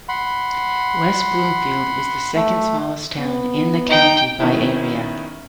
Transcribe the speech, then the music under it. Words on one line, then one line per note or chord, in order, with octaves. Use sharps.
West Bloomfield is the second smallest town in the county by area.
F#5 B5 C6
A3
B3
D#4 G5
D#3 B3 C#4 D#4 E4